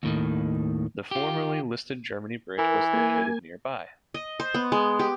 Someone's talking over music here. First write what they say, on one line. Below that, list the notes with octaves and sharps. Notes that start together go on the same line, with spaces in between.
The formerly listed Germany Bridge was located nearby.
D#2 A2 D#3
F4 G4
E3 A#4
A#3 G#5
D#5
C5
B3
G#3
G4